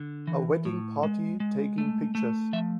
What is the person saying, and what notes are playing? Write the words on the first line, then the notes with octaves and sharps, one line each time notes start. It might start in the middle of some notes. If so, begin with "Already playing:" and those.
A wedding party taking pictures.
Already playing: D3
E3
A2
G#3
G#3
A3
A3
F3 E5